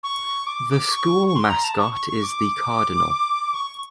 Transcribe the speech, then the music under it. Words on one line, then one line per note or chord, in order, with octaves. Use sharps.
The school mascot is the cardinal.
C#6
D6
D6
C#6
C#6
C6
A#5
A5
C#6
C#6
C#6
D6
C#6